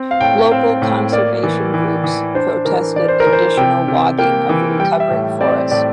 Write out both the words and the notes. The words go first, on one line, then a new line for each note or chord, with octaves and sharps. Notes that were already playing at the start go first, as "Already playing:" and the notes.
Local conservation groups protested additional logging of the recovering forest.
Already playing: C4
F5
A2 G5
C4 F5
A2
A#3 D5
E3
E3
E3
D4 C5
E3 A#4
E3 D5
C5
A#4
E3
C5
C3 G5
C3
A#3 G5
E3
G3 G5
E5
A2
C4 D5
A2 D5